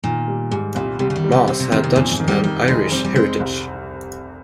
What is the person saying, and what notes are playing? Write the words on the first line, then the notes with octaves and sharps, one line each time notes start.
Maas had Dutch and Irish heritage.
A#2 D#3
G3
G#2 G3
C2 A#2
C3 G3
C#3
D#3
G3
C#3
C3 C4
C3
C3 D#3
C3
F2 A#2
G#2
D#3
G3
D#3 G3
F1 G#3
G3 C4
G3
G#3 C4
C2